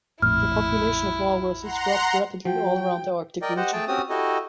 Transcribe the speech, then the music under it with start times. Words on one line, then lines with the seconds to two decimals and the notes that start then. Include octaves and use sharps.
The population of walruses dropped rapidly all around the Arctic region.
0.22 A#1 F2 A2 E4 F6
1.61 F#5 A#5 C6
2.45 F3 F#4 G5
3.42 A#4 D5 D#5 G5
3.57 G4 C5 D#5 F#5
3.73 A3 G#4 G5 A5
3.88 C4 C#4 F#4 G4 D#6
4.09 E4 F#4 G4 A4 D#5